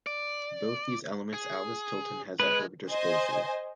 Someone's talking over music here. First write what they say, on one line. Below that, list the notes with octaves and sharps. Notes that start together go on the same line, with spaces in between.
Both these elements Alice Tilton has at her disposal.
D5
G#4
G#3 B4
C5 D#5 G#5